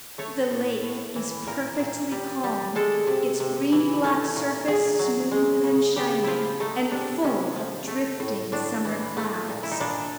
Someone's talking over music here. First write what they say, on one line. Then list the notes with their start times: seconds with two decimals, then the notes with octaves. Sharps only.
The lake is perfectly calm, its green-black surface smooth and shining, and full of drifting summer clouds.
0.18 A3 C#5
0.51 A2
0.83 A2
1.16 E3
1.47 A#2 A#4
1.79 A#2
2.11 G3
2.44 G3
2.75 G#3 A4
3.07 C3
3.40 C3
3.72 E3
4.04 A3
4.35 A#2
4.67 A#2 G#4
4.99 F#3
5.31 G#3
5.64 C#3
5.96 C#3 G4
6.24 F3 E4 F4
6.60 A3 D#4
6.91 C3 D4
7.24 C3 C#4
7.56 F3
7.87 A3
8.20 A2
8.52 A2 D4
8.85 E3
9.17 A3
9.49 A#2
9.63 E4
9.71 D#4
9.80 A#2 D4